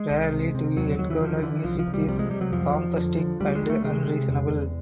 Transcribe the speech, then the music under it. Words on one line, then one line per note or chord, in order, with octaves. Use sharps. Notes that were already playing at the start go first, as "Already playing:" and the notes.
Rarely do you encounter music this bombastic and unreasonable.
Already playing: G#3
C2
C3
C3
D#2 F#3
D#2 F#3
E3
D3 F3
D3 E3
C2 F3
F3
C2
G3
C3 G3
G#3
C3 G3
F#3
F2 F3
F2
D3
D3
D2 G3
G#3
D2
A3
C3 G#3
C3
E2
E2